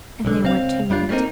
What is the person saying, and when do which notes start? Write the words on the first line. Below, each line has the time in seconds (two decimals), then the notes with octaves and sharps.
And they went to meat.
0.25 B1 D3
0.43 C#2 C4 F5
0.90 F#2 G3 D4 F4
1.09 G3 A3 A#3 C4 D#4